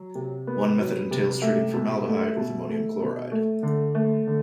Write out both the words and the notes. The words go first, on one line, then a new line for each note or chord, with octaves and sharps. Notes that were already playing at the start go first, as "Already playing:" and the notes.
One method entails treating formaldehyde with ammonium chloride.
Already playing: F#3
C3
B3
F#3
C3
A3 E5
B2
A3
B2
A3
B2
A3
D3
A3
D3